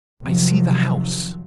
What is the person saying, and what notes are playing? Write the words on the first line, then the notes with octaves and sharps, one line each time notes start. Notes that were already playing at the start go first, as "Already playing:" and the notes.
I see the house.
F1 C3 D#3 F3 F#3